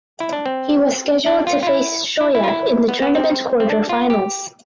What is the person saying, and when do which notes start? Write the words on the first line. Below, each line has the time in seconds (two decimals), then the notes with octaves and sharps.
He was scheduled to face Shoya in the tournament quarterfinals.
0.20 E4
0.33 D4
0.46 C4
1.26 D4
1.47 F4
1.63 F4
1.67 E4
2.21 E4
2.35 E4
2.44 F4
2.48 E4
2.88 B3
3.02 B3
3.15 C4
3.60 C4
3.69 D4
3.89 F4
4.10 G4